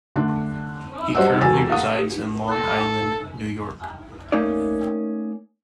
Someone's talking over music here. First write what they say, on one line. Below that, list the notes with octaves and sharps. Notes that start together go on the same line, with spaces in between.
He currently resides in Long Island, New York.
D3 A3 D4
G3 C5 D5 D#5 F#5 E6
E1 B2 G#5 E6 A6
F5 F#5 D#6
A4
A3 A#3 C#4 D#4 D5